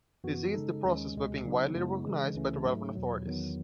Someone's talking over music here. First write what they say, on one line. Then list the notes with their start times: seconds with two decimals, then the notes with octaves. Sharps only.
This aids the process by being widely recognised by the relevant authorities.
0.24 F#2 E3 B3 F#4
0.54 C#3 G#3 D#4 A4
0.84 D#2 D#3 G#3 C#4
1.14 C#2 B2 G#3
1.44 C#3 F#3 B3 D#4
1.75 F#2 C#3 G#3 B3 E4
2.04 C#3 E3 G#3
2.35 C#2 C#3 E3 A3 C#4
2.65 G#2 F#3 A3 D#4
2.95 E2 B2 F#3
3.25 E2 D#3 F#3 B3